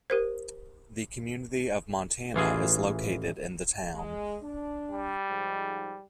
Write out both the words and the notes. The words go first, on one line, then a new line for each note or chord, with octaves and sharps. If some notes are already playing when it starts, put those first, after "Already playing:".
The community of Montana is located in the town.
G4 A#4 C5
A1 E3 F4 G#4
G#3
D4
G3
G#2 F3